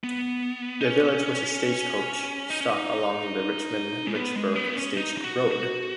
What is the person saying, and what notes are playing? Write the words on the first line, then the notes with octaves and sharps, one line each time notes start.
The village was a stagecoach stop along the Richmond-Lynchburg stage road.
B3
D#4
C#4
D#4
C#4
D#4
G#3
B3
G#3
B3
C#4
D#4
D#4
F#4
F#4